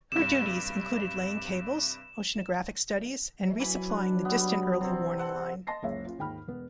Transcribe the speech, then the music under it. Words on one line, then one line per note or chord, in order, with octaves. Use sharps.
Her duties included laying cables, oceanographic studies, and re-supplying the Distant Early Warning Line.
G2 C3 E7
E3 F#3 G#5 B5
D4
G3 B3
C3 C4
A4 F#5 C6
D#5 A5 C6 A#6 C7
F#1 C#2 C#5 E5
C#4 F4
D#2 G#2 G5 B5 F6
E1 B3